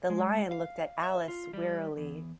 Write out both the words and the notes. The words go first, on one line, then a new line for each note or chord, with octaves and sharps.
The Lion looked at Alice wearily.
G#3
F5
E5
F4
G3
E2